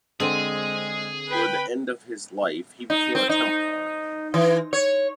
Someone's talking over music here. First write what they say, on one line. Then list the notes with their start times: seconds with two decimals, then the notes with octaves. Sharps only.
Toward the end of his life he became a Templar.
0.20 D3 G#3 C4 G#4 G#5
1.29 B4 G5 B5
2.90 D#4
3.15 C4
3.29 D#4
4.34 E3
4.73 C#5